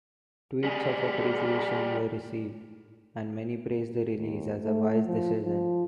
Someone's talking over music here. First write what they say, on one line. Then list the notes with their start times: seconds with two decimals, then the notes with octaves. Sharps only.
Tweets of appreciation were received and many praised the release as a wise decision.
0.64 G3 G#4
4.17 D#2
4.62 A3
5.07 F3
5.45 F3